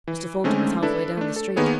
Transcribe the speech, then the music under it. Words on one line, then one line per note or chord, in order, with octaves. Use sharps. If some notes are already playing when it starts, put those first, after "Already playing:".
Mr. Thornton was half way down the street.
E3
D3 G#3 A3 C4 C#4 D#4
D4 E4 A4 B4
A3 D4
A4
D#3 A#3 B3 G#4 C#5